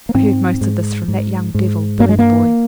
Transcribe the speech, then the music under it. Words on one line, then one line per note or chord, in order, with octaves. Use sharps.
'I heard most of this from that young devil, Billy the Boy.
A#3
G#2 C4
G#2
G#2
G#2
G2 A#3
G#3
A#3